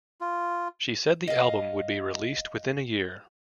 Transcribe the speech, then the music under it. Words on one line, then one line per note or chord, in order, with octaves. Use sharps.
She said the album would be released within a year.
F4
D#5 F5